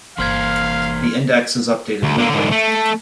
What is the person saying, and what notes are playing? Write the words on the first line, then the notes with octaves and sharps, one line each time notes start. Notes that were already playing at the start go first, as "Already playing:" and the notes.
The index is updated weekly.
G1 E3 A#3 C5 F5 C6 F6 G#6
D2
D3 A#3
G#2 D3
A3